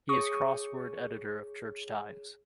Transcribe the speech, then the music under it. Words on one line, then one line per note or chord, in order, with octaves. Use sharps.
He is crossword editor of "Church Times".
G#4 C#5 C#6 D#6